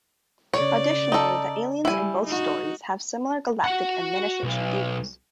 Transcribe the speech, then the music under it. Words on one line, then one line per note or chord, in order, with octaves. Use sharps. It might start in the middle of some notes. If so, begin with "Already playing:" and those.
Additionally, the aliens in both stories have similar galactic administration duties.
C#3 C#5 D5
D#4 A4
G3 E4 G#5
D#4 F#4
F#4 F#5
B1